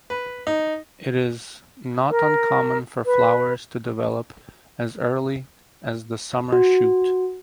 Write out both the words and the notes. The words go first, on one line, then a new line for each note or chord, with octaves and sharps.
It is not uncommon for flowers to develop as early as the summer shoot.
B4
D#4
A#4
B4
F#4